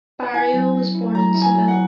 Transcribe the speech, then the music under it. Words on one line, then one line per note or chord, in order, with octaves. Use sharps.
Barrio was born in Seville.
F#5
E4 G#5
F#3
C#4
E4
F#3 A#5
E4
G#5
F#3
F#5